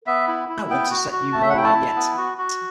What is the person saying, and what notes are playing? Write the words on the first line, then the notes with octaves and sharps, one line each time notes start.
I want to set you more right yet.
B3 E5
E4
E4
B3 G5
F#4
F#4
A3 A5
E5
F#5
E4 G5
A5
E4
B3
F#4
F#4